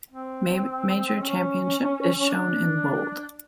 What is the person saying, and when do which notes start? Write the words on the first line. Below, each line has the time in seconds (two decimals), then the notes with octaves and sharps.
Major championship is shown in bold.
0.12 C4
1.21 C#4
2.30 D4